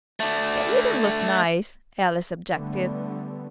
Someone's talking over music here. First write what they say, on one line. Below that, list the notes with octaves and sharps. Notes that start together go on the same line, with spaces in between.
'It wouldn't look nice,' Alice objected.
A3 D4
D3 G3 A3 B3